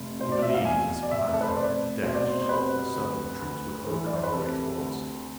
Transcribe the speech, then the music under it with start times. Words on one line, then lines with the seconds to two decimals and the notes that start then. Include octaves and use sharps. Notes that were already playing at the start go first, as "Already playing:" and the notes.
He believed that the surprise and the immense dash of the Southern troops would overcome the great odds.
Already playing: F1
0.19 B2 C5
0.32 D5
0.42 E5
0.54 F5
0.64 E2 G#5
1.03 D5
1.10 F1 E5
1.33 A4
1.41 B4
1.48 C5
1.57 F1 D5
2.03 B2 C5
2.15 D5
2.27 C5
2.42 C5
2.49 C3 B4
2.95 D2
3.41 D2
3.87 E3
4.06 D5
4.16 C5
4.23 B4
4.33 C3 A4
4.78 D2